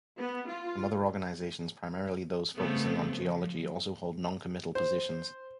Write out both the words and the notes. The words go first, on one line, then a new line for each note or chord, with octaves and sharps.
Some other organizations, primarily those focusing on geology, also hold non-committal positions.
B3
F4
C#3 G3 A3 B3 C4
F3
C5